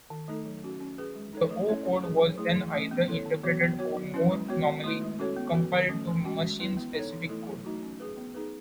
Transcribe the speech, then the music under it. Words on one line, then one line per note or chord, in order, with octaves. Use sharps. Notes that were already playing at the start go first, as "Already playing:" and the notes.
The O-code was then either interpreted or, more normally, compiled to machine specific code.
D#3
A3 D#4 A4
F#3
C#4 F#4
C#4
G#4 B4
G#3
D#4 A4 C#5
A3
C#4 E4 A4 C#5
C#4
G#4 B4
F#3
A3 E4 G#4
E3
A3 C#4
B3
E4 A4 C#5
D#3
F#3 B3 F#4 C#5
B3
F#4 C#5
F#3
C#4 E4 B4
G#3
B3 F#4 C#5
D#3
A3 E4 B4
G#3
C#4 F#4 A4 C#5
B3
F#4 B4
D#3
F#3 A3 C#4
E3
G#3 C#4 F#4
G#3
B3 E4 B4
B3
D#4 A4 C#5
E3
A3 E4 A4
F#3
A3 D#4 F#4
C#4
G#4 B4
B3
D#4 G#4 B4